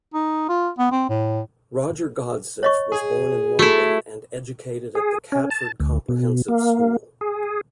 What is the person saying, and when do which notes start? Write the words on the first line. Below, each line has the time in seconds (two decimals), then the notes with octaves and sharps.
Roger Godsiff was born in London and educated at the Catford Comprehensive School.
0.14 D#4
0.49 F4
0.78 B3
0.91 C4
1.09 A2
2.63 C#5 D#5 C#6
2.92 G#4
3.59 A3 E4 F#4
4.95 G#4
5.32 C#4
5.50 A5
5.80 D2
6.08 B2
6.48 A#3
7.21 G#4